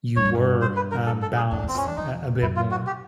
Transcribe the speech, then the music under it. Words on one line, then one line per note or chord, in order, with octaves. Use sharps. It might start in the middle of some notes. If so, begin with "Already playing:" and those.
you were, uh, balanced a a bit more?
G2 C#5
F#2
G2
C5
B4
A#4
A4
A4
G#4
F2 D4
E2 C4
F2 C#4
E2 D4
F2 D#4
F#2 E4
F4
F#4
G4